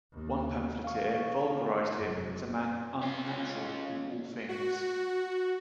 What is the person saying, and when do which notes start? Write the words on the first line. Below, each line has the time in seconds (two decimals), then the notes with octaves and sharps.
One pamphleteer vulgarized him as a man "unnatural" in all things.
0.13 D#2
0.84 D#3 F5 C#6
1.99 F1 F#2 F#3
3.02 C#4 F4
4.49 F#4